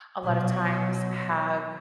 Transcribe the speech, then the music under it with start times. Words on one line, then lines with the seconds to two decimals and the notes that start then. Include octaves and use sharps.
a lotta times, have
0.23 B2 F#3